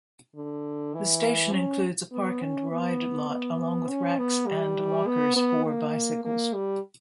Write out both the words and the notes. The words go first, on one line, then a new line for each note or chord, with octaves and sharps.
The station includes a park-and-ride lot along with racks and lockers for bicycles.
D3
E3
C#4
B3
C#4
B3
B3
C#4
B3
G3
B3
B3
A#3
A#3
G3